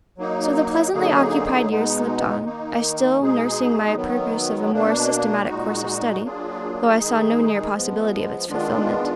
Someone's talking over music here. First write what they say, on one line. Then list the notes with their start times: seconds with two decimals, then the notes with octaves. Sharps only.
So the pleasantly occupied years slipped on, I still nursing my purpose of a more systematic course of study, though I saw no near possibility of its fulfillment.
0.18 F#3 A#3 D#4
0.93 D3 F#3 A#3 D#4 G#4
1.69 B2 G#3 B3 D#4
2.45 D#3 A#3 D#4
3.20 B2 G#3 D#4 G#4
3.96 D#3 F#3 B3
4.71 B2 A#3 D4
5.47 A#2 G#3 D#4 F#4
6.23 F#3 A#3 D4 F4 G#4
6.98 D#3 G#3 D#4 G#4
7.74 F3 G#3 B3
8.49 D#3 G#3 B3 D4 F4